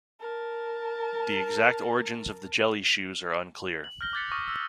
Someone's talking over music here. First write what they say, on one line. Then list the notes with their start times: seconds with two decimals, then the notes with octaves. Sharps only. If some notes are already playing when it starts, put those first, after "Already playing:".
The exact origins of the jelly shoes are unclear.
0.20 A#4 A5
3.84 F#7
4.01 F6 G6 A#6 G7
4.13 D6 F#6 G6 A6 B6 C#7
4.32 C#6 D#6 F6 A6 A#6 D#7
4.48 E6 A#6